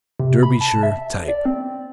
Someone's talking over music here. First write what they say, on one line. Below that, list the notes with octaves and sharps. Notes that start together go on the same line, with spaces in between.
Derbyshire type.
C3
B5
A5
E5
D5
C4